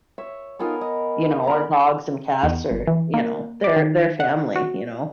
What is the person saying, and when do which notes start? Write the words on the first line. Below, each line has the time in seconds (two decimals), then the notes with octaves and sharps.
you know, our dogs and cats are, you know, they're they're family, you know?
0.18 C#5 E5
0.59 B3 D#4 F4 A4 A#4 G#5
0.81 D#5
1.47 A#4 A#5 B5
2.43 E2
2.71 G1
2.87 E3
3.14 A#3
3.64 D5
3.76 D#3
4.20 F#5
4.56 F#4